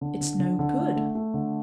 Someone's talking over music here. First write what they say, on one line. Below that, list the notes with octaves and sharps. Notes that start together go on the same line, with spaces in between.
"It's no good."
D3
D3
D3
D3
A3
A3
A3
D3